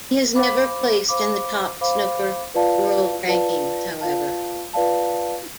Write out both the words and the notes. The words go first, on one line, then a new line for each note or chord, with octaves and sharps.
He has never placed in the top snooker world rankings, however.
C5 F5 B5 D6
C5 F5 B5 D6
C5 F5 B5 D6
F4 B4 D5 F5 A5
F4 B4 D5 F5 A5
F4 B4 D5 F5 A5
F4 B4 D5 F5 A5